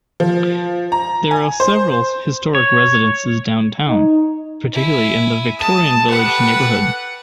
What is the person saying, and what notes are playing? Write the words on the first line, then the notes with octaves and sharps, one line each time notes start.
There are several historic residences downtown, particularly in the Victorian Village neighborhood.
F3
A#5
G#5
C5
C#5
D#4
E4 G#5
G#3 A5 D#6
G4 A4 B4 F#5